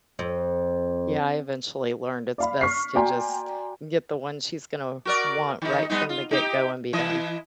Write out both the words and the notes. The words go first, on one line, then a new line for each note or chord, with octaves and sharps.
Yeah, I eventually learned it's best to just get the one she's gonna want right from the get-go and be done.
F2
D5 F5 B5
C#6 F6 B6 C7
F#4 D5 G5 G#5 A#5 C6
F#4 A#4 D5
D#3 D#4
G3 B3 D#4
F4
D#4 G4
E3 E4 D#5